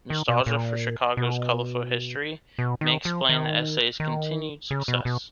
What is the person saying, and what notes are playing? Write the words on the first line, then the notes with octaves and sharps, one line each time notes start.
Nostalgia for Chicago's colorful history may explain the essay's continued success.
D#3
B2
A#2
B2
B2
D#3
F3
D#3
D#3
C#3
B2
B2